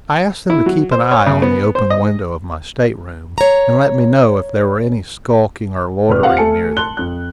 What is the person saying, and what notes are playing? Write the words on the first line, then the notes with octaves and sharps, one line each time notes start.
I asked them to keep an eye on the open windows of my state-room, and let me know if there were any skulking or loitering near them.
E4
F#3
C5
C#5
C#3
B3
C5
D#5
C#5 A#5
F1 B4 F6
C4 F4 G4 F5 F#5
A3 A4 G#5 A5 C#7
A5 C6 F#6 G7
F2 F#6